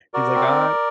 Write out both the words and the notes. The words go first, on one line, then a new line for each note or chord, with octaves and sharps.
He's like, "I"
F#4 A#4 D5
C4